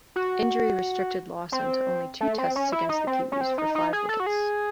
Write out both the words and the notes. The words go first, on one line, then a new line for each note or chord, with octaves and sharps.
Injury restricted Lawson to only two Tests against the Kiwis, for five wickets.
F#4
C4
A3
C4
C#4
E4
D#4
C4
C#4
C4
D#4
D#4
G#4
A4
F#4
G#4